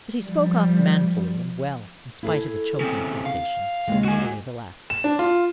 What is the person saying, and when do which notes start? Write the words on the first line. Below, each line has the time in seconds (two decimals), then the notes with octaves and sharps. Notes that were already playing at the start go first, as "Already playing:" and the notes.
But he spoke out manfully and well, in spite of a choking sensation, till nearly the last.
0.20 F3 G3
2.23 E4 G#4 A4
2.81 C#3 C4
3.26 F5
3.88 D#2 G#3 F4
4.05 F#4 G#5
4.90 E7
5.04 D4
5.19 F4